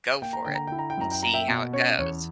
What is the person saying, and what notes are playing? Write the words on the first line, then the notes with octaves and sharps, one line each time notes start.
go for it and see how it goes
A#3 G5
A#5
D3 G5
A#5
E4 G5
A#5
G5
F#2 A#5
G5
A#3 A#5
E5 G5
B2
C#4 C#5
E2 C#5